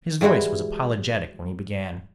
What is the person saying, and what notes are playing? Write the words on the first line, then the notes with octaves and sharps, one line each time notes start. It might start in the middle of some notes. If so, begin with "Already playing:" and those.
His voice was apologetic when he began.
E3 G3 G#3 E4 F#4